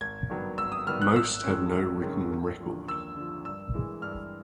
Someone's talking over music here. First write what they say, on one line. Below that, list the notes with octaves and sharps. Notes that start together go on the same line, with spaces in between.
Most have no written record.
G#1 G#6
G2 D#3 F#3 B3
G#1 E6
D#6
G2 D#3 F#3 B3 F6
F#6
G#1 E6
F#2 D#3 G#3 C#4
G#1
F#2 D#3 G#3 C#4
D#2
D3 F3
D#2 E6
D3 F3
G2 E6
E3 G#3
G2 F6